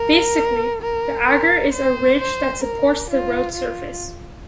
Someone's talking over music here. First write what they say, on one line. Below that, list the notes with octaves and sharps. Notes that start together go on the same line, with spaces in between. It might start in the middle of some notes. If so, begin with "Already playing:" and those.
Basically the agger is a ridge that supports the road surface.
Already playing: A#4
A#4
A#4
C5
C5
A#4
F4
F4